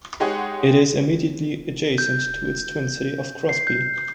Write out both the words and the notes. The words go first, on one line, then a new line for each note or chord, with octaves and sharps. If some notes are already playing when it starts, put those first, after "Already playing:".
It is immediately adjacent to its twin city of Crosby.
G#3 D#4 G4 G#4 C#5 F#5
G6
C7
G6